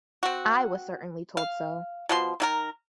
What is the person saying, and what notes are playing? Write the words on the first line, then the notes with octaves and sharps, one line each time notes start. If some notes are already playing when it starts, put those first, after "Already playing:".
I was certainly told so.
C4 F#4
F5
B2 F3 C6
D#3 E4 A#4